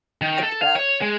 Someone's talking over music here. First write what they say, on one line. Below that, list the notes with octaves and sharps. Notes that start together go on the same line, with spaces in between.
I get that.
D#3
A4
F5
C#5
G#3